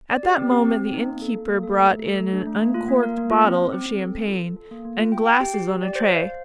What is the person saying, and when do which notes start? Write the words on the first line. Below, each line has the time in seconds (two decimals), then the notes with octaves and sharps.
At that moment the innkeeper brought in an uncorked bottle of champagne, and glasses on a tray.
0.10 D5
0.23 G4
0.38 C4
0.52 G4
0.65 C4
0.80 C4
0.94 D#4
1.07 A#3
1.22 A4
1.35 A4
1.49 A#3
1.63 A4
1.78 A3
1.91 A3
2.06 A4
2.19 A3
2.33 D4
2.46 A3
2.62 A#3
2.74 F4
2.89 A#3
3.03 A#4
3.17 A#3
3.30 F4
3.44 C4
3.59 C4
3.73 C4
3.86 C4
4.00 A4
4.14 A4
4.28 F4
4.42 A4
4.56 A4
4.71 A#3
4.85 A#3
4.99 F4
5.12 G5
5.26 G5
5.41 G4
5.54 G4
5.69 G4
5.83 D5
5.95 C5
6.11 F5
6.23 C5